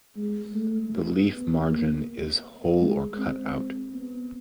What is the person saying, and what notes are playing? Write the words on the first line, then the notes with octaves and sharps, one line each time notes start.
The leaf margin is whole or cut out.
G#3
A3
B3
A#3
G#3
C4
B3